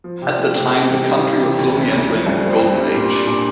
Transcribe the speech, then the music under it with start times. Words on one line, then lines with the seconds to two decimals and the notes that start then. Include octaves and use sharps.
At the time, the country was slowly entering its "Golden Age".
0.04 F3
0.22 C3
0.38 A3
0.56 C3
0.73 C3
0.89 E2
1.06 G3
1.24 E2
1.40 C3
1.58 D2
1.75 E3
1.91 D2
2.08 F3
2.26 G2
2.42 C4
2.60 G2
2.77 G3
2.94 A#2
3.11 D4
3.27 A#2